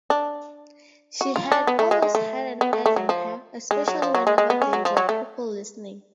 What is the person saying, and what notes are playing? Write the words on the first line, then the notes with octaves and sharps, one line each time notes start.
She had always had an edge on her, especially whenever there were people listening.
D4
F#4
F4
D4
B3
A3
G#3
G#3
A3
B3
A3
A3
F#3
F3
G#3
F#3
F3
F#3
G#3
G#3
B3
C#4
F#3
F3
F#3
A3